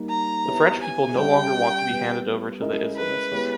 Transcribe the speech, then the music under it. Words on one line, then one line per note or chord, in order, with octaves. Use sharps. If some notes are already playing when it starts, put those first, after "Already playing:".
The French people no longer want to be handed over to the Islamists.
Already playing: G3 A#3 D#4
A#5
B3 E4 G4 C#5 E5
G#5
G3 C#4 G4 C#5 E5 G5
G3 B3 G4
G#3 C#4 E4 A#4 D#5
B4
G#3 B3 E4 G4 C#5